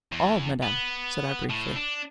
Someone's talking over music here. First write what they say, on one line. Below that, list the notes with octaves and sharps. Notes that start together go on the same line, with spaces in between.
"All, madame," said I, briefly.
E2
B3
A2
D4